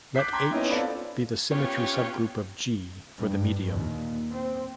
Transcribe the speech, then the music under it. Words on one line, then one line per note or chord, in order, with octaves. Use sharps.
Let "H" be the symmetry subgroup of "G" for the medium.
D6 F#6 G6 B6 C7
G5 A#5 C6 D6 G#6 B6
B3 C#4 D#4 E4
C4 F4 A4 D5 B5
B3 C#4 F4 G4 C#5
G2
D#2 A#2
C4